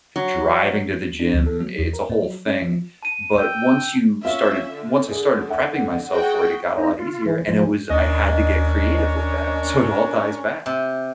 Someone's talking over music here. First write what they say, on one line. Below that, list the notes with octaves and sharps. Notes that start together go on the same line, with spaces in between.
driving to the gym, i it's a whole thing, but once you started once I started prepping myself for it, it got a lot easier, and it was I had to get creative with that, so it all ties back.
F#3
D4
D2
A4
F#3
E2
A#4
A#2
F#3
C#4
F3
A5 D#7
G5 E6
C#4 F4 E5
D3
G#4
F#5
F#4 G#4 G5
D#4
F4
E3
F3
D#2 C#4 D4 A#4 D#5
C3